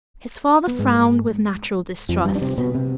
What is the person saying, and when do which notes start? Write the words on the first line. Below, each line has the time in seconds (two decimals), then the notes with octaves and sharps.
His father frowned with natural distrust.
0.67 B3
0.79 G#2 G#3
2.09 F2 F3
2.25 G2 G3
2.35 D4
2.42 C3 C4
2.57 B2 B3
2.75 C3